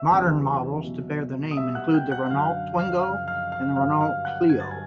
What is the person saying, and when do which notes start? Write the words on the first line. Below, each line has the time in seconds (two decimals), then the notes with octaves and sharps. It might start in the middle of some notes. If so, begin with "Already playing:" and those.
Modern models to bear the name include the Renault Twingo and the Renault Clio.
Already playing: E5 E6
0.10 E2 C#3 E3 G3
0.84 B2 F#3
1.51 D#6
1.57 B2 G3 E5 E6
1.75 F#5 F#6
1.94 G5 G6
2.12 F#5 F#6
2.26 F#6
2.30 F#2 D3 F#3 F5 F6
2.79 F5 F6
3.03 F#2 C#3 F3 F5 F6
3.27 F5 F6
3.52 F5 F6
3.76 G2 D3 F#3 F5 F6
4.00 F5 F6
4.25 F#5 F#6
4.49 G2 D3 F#3 G#6
4.60 A6
4.71 G#5 G#6